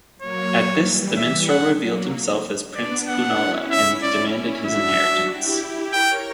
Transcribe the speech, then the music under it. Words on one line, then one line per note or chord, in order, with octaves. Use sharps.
At this, the minstrel revealed himself as prince Kunala and demanded his inheritance.
F#3 A#3 C#5
E3 G3
E5
F#5
F#3 A#3
B3 D4 D5
F#5
C#4 E4
E5
C#4 E4 D5
D4 F#4 E5
E4 G4
A#4 C#5 G5